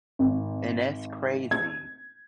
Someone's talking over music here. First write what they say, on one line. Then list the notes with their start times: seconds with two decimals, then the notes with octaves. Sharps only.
And that's crazy.
0.19 G#1
1.51 G#6